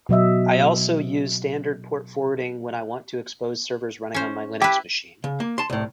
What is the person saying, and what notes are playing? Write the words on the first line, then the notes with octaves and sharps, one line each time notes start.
I also use standard port forwarding when I want to expose servers running on my Linux machine.
B2 F#3 D#5 E5
C#4 C5
E4 G4 B4
C#3
A#3
A5 C6
C2 A2